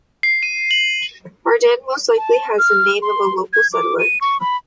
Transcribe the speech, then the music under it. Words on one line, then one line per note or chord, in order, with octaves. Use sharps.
Bardane most likely has the name of a local settler.
C7
D#7
F#7
A5
F6
C6
G#6
D6
D#7
C#6
B5